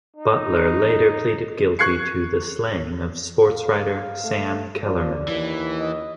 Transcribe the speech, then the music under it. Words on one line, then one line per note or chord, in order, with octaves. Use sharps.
Butler later pleaded guilty to the slaying of sportswriter Sam Kellerman.
D#4
C#6 F#6 G#6 C7 C#7
F5
A3
F3 D5
D#2 E3
D#5